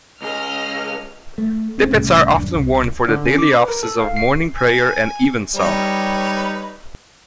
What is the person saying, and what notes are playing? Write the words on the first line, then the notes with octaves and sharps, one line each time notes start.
Tippets are often worn for the Daily Offices of Morning Prayer and Evensong.
C#2 G#4 D#5 F6
A3
A1 C4 C#4
C2 A2 C#3
D#1 F#2 D4
C2
D3
C#4
D6
B4
A#4
A4
F5
C7
G#5
G3 D#4 B4 C#5